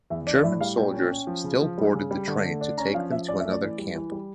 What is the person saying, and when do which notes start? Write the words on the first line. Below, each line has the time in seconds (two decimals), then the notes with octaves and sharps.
German soldiers still boarded the train to take them to another camp.
0.10 E2 E5
0.27 D4 D5
0.39 D5
0.44 A2 E5
0.61 G3 F5
0.77 A#2 G5
0.93 C#4
1.10 C#4
1.27 F3
1.44 C#3
1.61 F3
1.78 G3
1.95 C#3
2.11 G3
2.28 D3
2.44 A3
2.61 D4
2.78 C#4 A#5
2.94 F3 F5
3.11 F3 E5
3.28 C#4 D5
3.40 E5
3.45 A3
3.51 D5
3.62 E3
3.78 G3
3.95 E3
4.12 G3